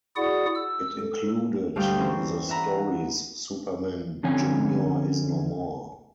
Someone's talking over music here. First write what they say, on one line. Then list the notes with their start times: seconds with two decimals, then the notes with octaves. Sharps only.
It included the stories Superman Junior Is No More!
0.16 E4 F#4 G#4 D5 F#5 D#6
0.55 E6
0.99 A4
1.76 D2 G2 G3 F5 G5 D#6
1.97 E3 C#4 A#4 C5
2.48 E5 F#5 A#5 B5
4.23 D3 F3 C4 C#4 C#5 G#5